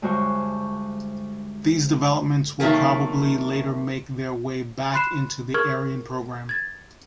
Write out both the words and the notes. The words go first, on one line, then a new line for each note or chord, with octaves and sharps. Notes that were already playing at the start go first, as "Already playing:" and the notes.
These developments will probably later make their way back into the Ariane programme.
D2 G2 G#3 F#4 C5 C#6
C3 D#3 F#3 A3 A#3
B5 C6 F#6 C7 E7
G#4 A#4 C#6 F6 G#6
G#6 A6